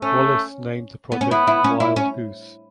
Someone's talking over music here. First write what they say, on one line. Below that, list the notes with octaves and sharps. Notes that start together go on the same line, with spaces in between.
Wallis named the project Wild Goose.
A3 C#4
B3
C#4
B3 E4
E4
C#4
E4
C#4